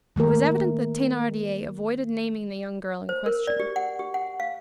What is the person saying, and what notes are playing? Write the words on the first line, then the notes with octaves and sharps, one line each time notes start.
It was evident that Thenardier avoided naming the young girl in question.
D#3 A3 A#3 A#4
C5
A#4
D5
G4
F#5
G4
F#5
F5